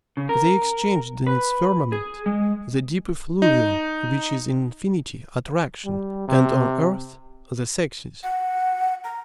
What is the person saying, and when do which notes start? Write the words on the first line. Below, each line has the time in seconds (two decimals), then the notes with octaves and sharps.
They exchanged in its firmament the deep effluvium which is in infinity attraction, and on earth the sexes.
0.17 C#3
0.29 A#4
1.27 B4
1.92 G#4
2.26 G#3
3.42 D#4
5.85 G3
6.28 C3
8.23 F#5
9.04 A#5